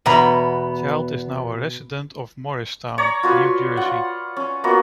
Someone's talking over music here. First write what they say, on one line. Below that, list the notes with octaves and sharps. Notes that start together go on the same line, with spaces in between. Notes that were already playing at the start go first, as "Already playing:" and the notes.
Child is now a resident of Morristown, New Jersey.
E2 B2 B3 A#5 B5
C#5 D5 A#5
F4 F#4 B4
F4 F#5
C#4
A#3 B3 F4 F#4